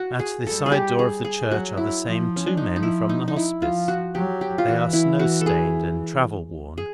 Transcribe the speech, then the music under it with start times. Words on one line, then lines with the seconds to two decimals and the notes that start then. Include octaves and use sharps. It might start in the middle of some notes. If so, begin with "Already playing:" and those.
At the side door of the church, are the same two men from the Hospice. They are snow-stained and travel-worn.
Already playing: F#4
0.19 G#4
0.46 G3 A4
0.66 G#4
0.72 G4
0.99 G#4
1.24 G#4
1.51 F#3 F#4
1.77 E4
2.04 F3
2.36 C#4
2.47 D4
2.57 F3 D#4
2.76 D#4
2.83 E4
3.09 D#4
3.28 D#4
3.36 E4
3.62 F3 F4
3.88 F#4
4.15 F#3 G4
4.41 G4
4.58 F4
4.67 E3 F#4
4.93 E4
5.19 F#4
5.41 A4
5.46 G#4
6.78 G#4